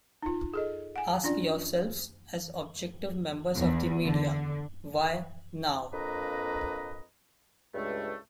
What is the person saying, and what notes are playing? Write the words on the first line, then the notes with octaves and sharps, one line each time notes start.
Ask yourselves, as objective members of the media: 'Why now...?
D#4 F4
G#4 A4 D#5
F#5 G#5
C#4 D4 F4 D5
E2
D3
F2 A#3 D4 B4 D#5 A#5
C#2 G2 G#3 A3